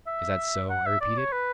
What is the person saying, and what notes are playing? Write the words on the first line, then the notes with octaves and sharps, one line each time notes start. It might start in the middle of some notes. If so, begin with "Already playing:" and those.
"Is that so?" I repeated.
E5
F#5
E5
D5
C#5
B4